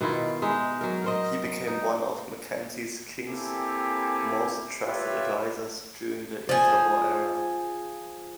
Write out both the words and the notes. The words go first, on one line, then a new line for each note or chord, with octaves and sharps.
He became one of Mackenzie King's most trusted advisors during the inter-war era.
B2 D#3 E4 F4
G#3 D#4 E5
F#3 A#4
A#4 C5 D#5
D#4
A#3 C4 E4 G4 A4 G#5
F4 G4 B4 C#5 E5
F3 G#4